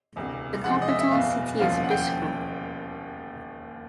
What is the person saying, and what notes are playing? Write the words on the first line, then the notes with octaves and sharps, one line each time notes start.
The capital city is Biskra.
E1 D2 C3
E2 C3 F3 G#3 F#5
D#5
E5
E5
F#1 E2 B2 F5
E1 D#2 C#3 F3 F5
F#5
G5